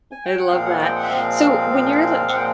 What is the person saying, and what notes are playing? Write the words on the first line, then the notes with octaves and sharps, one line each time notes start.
I love that. So when you're, like,
G#5
G5
F#5
A#2 F3 G#3 C4 F5
F#5
G5
F#5
E5
A#2 F3 G#3 C4 F5
A#2 F3 G#3 C4
A#2 F3 G#3 C4 F#5
G5